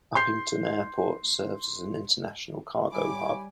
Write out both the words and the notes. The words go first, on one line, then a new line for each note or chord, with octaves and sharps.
Upington Airport serves as an international cargo hub.
C6 G6 C7
G3 G4 C#5 G#5 B5 D6